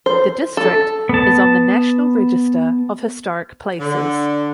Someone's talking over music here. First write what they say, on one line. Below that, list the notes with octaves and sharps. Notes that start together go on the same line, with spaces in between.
The district is on the National Register of Historic Places.
C5
A4
B3 A5
D3